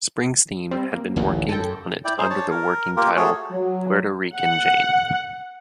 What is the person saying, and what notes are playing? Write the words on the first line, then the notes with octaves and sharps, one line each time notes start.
Springsteen had been working on it under the working title Puerto Rican Jane.
G3 C4
A#3
D1 A1 D#2
F#2 A4 G5
E4 D5 G5
D#4 G#4 C5
D4 C#5 A5
A#4
A#3 F4 G4 A#4
A3 F#4 G#4 A4 C#5
F#3
F#5